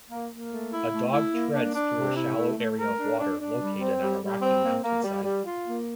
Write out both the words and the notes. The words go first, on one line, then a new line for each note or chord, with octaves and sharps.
A dog treads through a shallow area of water located on a rocky mountainside.
A#3
A#3
A3
E4
A3
E4
A#3
D4
D4
C3
E4
A3
A3
A#4
D4
D4
D4
G3
C4
G3
G3
C4
A#3
A#3
G3
G3
F4
A#3